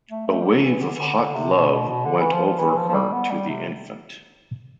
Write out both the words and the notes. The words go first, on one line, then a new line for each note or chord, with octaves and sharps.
A wave of hot love went over her to the infant.
A3
A3
G3
F3
E3
D3
E3
D3
D3
C3
B2
B2
B2
D3
E3
F3
F3
E3
F3
F3
G3
B3
G3
C3